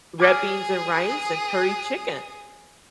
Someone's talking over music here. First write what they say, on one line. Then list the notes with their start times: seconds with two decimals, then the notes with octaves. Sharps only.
red beans and rice and curry chicken,
0.20 G#4 G#5 D6 D#6 F6